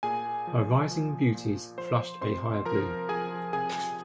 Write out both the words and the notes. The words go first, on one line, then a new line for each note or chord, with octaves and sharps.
Her rising beauties flushed a higher bloom.
A#2 G#4 G#5
F3
F3
A#2
F3 C5 C6
C3 C5 C6
F3 A#4 A#5
F3 G#4 G#5
C3 G#4 G#5